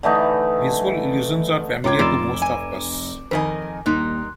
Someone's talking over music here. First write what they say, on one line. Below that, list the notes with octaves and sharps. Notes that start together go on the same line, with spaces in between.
Visual illusions are familiar to most of us.
D3 E3 A3 D#4
C#2 F4 C#5 G5 A#5 C6 D6 G#6
F1 F4 D5 A#5 D6 E6 D7 E7
G#5
F2 D#3 A#4 D#5 G#5
D#2 G3 A#3 D#4 C6 F#6